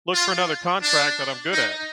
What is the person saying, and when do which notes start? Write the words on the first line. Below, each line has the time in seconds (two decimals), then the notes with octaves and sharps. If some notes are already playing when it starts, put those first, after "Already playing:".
look for another contract that I'm good at.
0.13 F4
0.82 D4
1.51 D#4